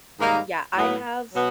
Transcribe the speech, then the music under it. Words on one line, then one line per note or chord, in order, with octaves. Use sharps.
Yeah, I have
G#2 D#3 G3 A#3 D#4
A2 F#3 B3
B2 F#3 B3